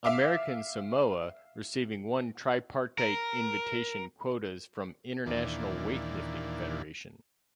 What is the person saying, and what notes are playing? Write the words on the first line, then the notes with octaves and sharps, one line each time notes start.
American Samoa receiving one tripartite invitation quotas from International Weightlifting Federation.
E5 F5 D6
A#4
D#2 A#2 E3 D4